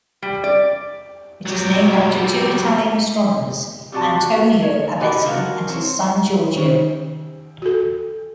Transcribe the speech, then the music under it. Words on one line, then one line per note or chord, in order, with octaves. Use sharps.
It is named after two Italian astronomers, Antonio Abetti and his son Giorgio.
G3
D5
F#3 G4
G3 C4 F#4 G4 G#5 A5
F#4
C#5
B2 D3 F#4 G4 B4 D#5
C#3 F3 E4 F#4 A#4
C4 C#5
D#3 C#4 D#4 C5
F#4 A4